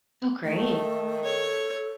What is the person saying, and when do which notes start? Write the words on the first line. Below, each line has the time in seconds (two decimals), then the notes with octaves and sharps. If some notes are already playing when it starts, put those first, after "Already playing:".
Oh, great.
0.45 D#3 A3
1.24 A4 C#5